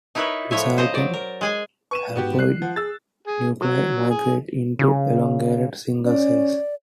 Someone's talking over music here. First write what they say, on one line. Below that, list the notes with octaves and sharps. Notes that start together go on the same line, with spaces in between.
Resulting haploid nuclei migrate into elongated single cells.
D#4 E4 A#4 B4 C#5 E5
A2 F3 E4 C#5 E5
C#3 C5 D#5 A#5
F#3 D5
A#4
G#3 G#4 G#5
B4 C#6 D#7 E7
G#2 B3 F#4 G4
G3 F#6 C7
F3 F#5
G#4 E6 A6
G#4
F#3
G#4
C#3
C#4 D5